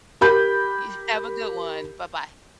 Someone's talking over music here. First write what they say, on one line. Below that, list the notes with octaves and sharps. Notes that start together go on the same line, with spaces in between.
Y have a good one, buh-bye.
G4 A#4 B5 G6